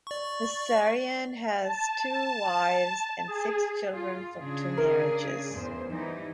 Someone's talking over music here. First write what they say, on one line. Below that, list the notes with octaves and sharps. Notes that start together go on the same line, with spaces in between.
Vissarion has two wives, and six children from two marriages.
D5 C#6
A5
G#4
F4
C#3 D4 G#4
A#4
E2 C5
E3 G3 D#4